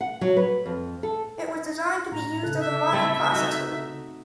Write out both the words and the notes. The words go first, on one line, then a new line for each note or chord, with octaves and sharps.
It is designed to be used as a mono-processor.
F#5
F#3
B4
F2
A4
A2 A#5
C#3 A4 F#6
E5
A3 C4 E4
D#4 F#4